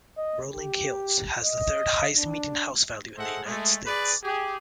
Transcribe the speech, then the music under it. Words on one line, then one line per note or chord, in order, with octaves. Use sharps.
Rolling Hills has the third highest median house value in the United States.
D#5
G4
D#5
D4
G#4 A4 C5 D#5 E5 F#5
G#3 A3
G#4 B4 D5
G4 G#4